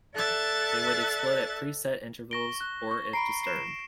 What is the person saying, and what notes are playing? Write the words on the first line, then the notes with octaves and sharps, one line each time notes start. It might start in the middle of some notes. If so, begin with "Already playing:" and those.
They would explode at preset intervals or if disturbed.
A4 D5 E5 F#6 A6
C#6 A#6 D7 G7
F#6
C#6
A#5 B5 C7 D7
C7 E7